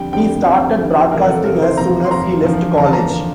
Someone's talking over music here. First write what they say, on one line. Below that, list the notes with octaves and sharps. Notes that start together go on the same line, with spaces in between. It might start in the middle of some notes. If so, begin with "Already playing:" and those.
He started broadcasting as soon as he left college.
Already playing: F2 D3 G3 G5
F2 D3 G3 G5
F2 D3 G3 F5
F2 D3 G3
E2 C3 F3 A#4
A4
E2 C3 F3 A#4
C5
E2 C3 F3 A#5
C6
E2 C3 F3 A#5
E2 D3 F3
E2 D3 F3 A#5
A5
A#5
D3 F3